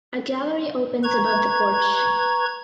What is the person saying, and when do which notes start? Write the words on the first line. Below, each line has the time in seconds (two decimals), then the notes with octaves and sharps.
A gallery opens above the porch.
1.04 B4 A#5 C#6 G#6